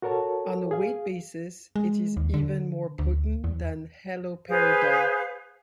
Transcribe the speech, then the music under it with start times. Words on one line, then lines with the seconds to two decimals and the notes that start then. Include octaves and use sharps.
On a weight basis it is even more potent than haloperidol.
0.02 F#4 A4 A#4 C#5 A5
0.71 G#4 F5
1.76 G#3
2.17 D#2
2.34 D3
2.99 D2
3.44 E2
4.48 G#4 B4 C5 F5